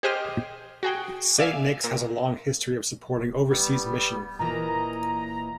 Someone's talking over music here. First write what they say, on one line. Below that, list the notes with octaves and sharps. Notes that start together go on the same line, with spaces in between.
Saint Nics has a long history of supporting overseas mission.
G4 G#4 C5 D#5 G5 F6
F#4 G#4 G5
D5 E5 F5 G#5
A#2 A#6
D1
G3 B3
A#2 E3 A#3 D#5 A#5